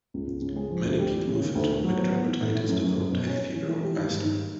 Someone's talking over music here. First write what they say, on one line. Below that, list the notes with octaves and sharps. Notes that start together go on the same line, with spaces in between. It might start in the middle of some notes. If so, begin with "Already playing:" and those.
Many people with atopic dermatitis develop hay fever or asthma.
C#2
C#2
C#3
G#3
F3
D2
G3
E3
C#3
D#3
D2
D#3
F#3
B3
B3
E3
A2
A2
F#2
F#2
F#2
B2
C#4
C#4
E3
E3
G3
D#3
G#2
G#2